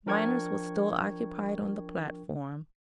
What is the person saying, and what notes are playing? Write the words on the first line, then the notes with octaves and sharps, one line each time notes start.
Mynors was still occupied on the platform.
F3 D4 A#4 G5 C#6 G#6